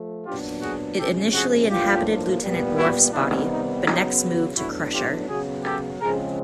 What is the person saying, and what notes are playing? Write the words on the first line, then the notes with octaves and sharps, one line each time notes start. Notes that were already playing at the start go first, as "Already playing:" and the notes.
It initially inhabited Lieutenant Worf's body, but next moved to Crusher.
Already playing: F3 A3
A#2 F#3 B3 D4 F4 G4
F#4 G#4
C3 F3 G#3 C#4 G4 A4
F#4 G#4
A2 F3 A#3 D4 F4 G4
A#2 G3 B3
E4 F#4
C3 D#3 G3 B3 D4 E4
D#4
C#3 F#3 B3 D#4
A2 F#3 B3 D4 E4 F#4
F4 G4
C#3 F#3 B3 F#4 G#4
G4 A4
C#3 F3 G#3 C4 G#4 A#4